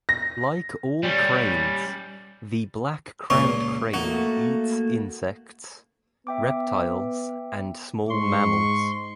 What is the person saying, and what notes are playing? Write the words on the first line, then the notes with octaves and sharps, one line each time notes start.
Like all cranes, the black crowned crane eats insects, reptiles, and small mammals.
A#6
G3 C#4
C#2 A#2 F4 C#6
A3 A#3 D#4 F#4
B3 E5 G5 D6
G#2 C6 C#6